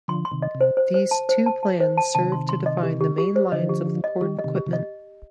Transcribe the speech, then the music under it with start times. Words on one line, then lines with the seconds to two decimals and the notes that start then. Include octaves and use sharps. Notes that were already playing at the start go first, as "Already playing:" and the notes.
These two plans served to define the main lines of the port equipment.
0.08 D3 F3 C6
0.25 C6
0.31 C3 D#3
0.42 D#5
0.55 C3
0.61 C5
0.77 C5
0.94 C5
1.11 A5
1.29 C5
1.46 A5
1.63 A5
1.80 C5
1.98 A5
2.15 C3 D#3 A5
2.32 C6
2.49 C6
2.66 D#5
2.83 G4
3.01 G4
3.18 G4
3.36 C5
3.52 D3 F3 D#5
3.69 G4
3.87 G4
4.04 D#5
4.21 D#3 G3 G4
4.39 D#5
4.44 C3 D#3
4.55 G4
4.66 C3 D#3
4.73 D#5